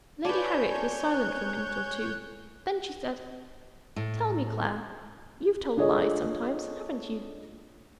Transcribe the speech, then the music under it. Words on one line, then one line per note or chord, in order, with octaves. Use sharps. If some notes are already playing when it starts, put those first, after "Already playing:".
Lady Harriet was silent for a minute or two; then she said,--"Tell me, Clare; you've told lies sometimes, haven't you?"
B4 C#5 D5 G#5 A5 G6
F#6
A2
D4 F4 G#4 A4 C#5 D#5